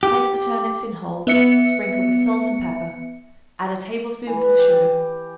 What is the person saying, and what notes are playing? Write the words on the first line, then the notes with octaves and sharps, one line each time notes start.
Place the turnips in whole, sprinkle with salt and pepper; add a tablespoonful of sugar.
G4
B3 E5 C#7
E3
G4